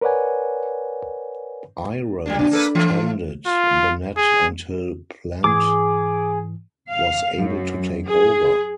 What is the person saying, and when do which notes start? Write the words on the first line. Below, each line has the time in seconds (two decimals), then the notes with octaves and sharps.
Irons tended the net until Plante was able to take over.
0.01 A#4 B4 C#5 D5 F#5 G#5
2.26 G3 A#3 D4
2.39 A#2 D4
2.51 A#3 A4 B4
2.75 E3 A3 F4
3.47 F4
4.17 G#4
5.44 G#2 E3 G#4 D6
6.90 F5
7.36 F#2
8.05 G#4